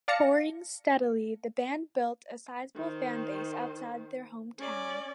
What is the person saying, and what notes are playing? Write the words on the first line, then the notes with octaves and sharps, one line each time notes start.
Touring steadily, the band built a sizable fan base outside their hometown.
D5 F5 A5 A#6 C#7
D#3 C5
C#4 D5